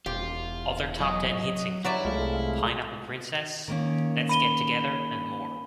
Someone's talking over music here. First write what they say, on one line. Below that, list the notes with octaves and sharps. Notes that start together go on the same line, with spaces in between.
Other top-ten hits include, "Pineapple Princess", "Let's Get Together" and more.
E1 F4 G4
F#3 D#5
F#3 E4 D5 E5
C2 G#3 A3 F4
D#3 A#3 C#4
B5 D#7 G7